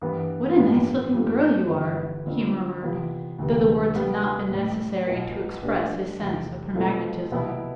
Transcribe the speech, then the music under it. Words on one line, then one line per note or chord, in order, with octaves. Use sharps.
"What a nice-looking girl you are!" he murmured, though the words had not been necessary to express his sense of her magnetism.
G2 E3 B3
A1 G2 F3 B3 F4
G2 F3 A3
G1 G2 E3 B3 E4
F2 D3 F3 C4 F4
C3 E3 B3 F4
D2 C3 E3
C3 G3 B3
A1 A2 G3
B1 B2 B3 F4 B4
B2 A3 D4 G4 B4
F1 E2 C3
B2 A3 C4 F4 A4
C2 B2 B3 E4